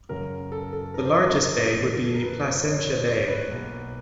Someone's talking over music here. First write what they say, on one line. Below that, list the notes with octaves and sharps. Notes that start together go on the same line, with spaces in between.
The largest bay would be Placentia Bay.
F#2 C#3 F#3 A#4
A4
A4
A#4
C5
A#4
A#4
F#2 D3 F3 A3
A4
A#4
B4
C5
C#5
D5
C5
C#5
B4
B1 B2 F#3 A#3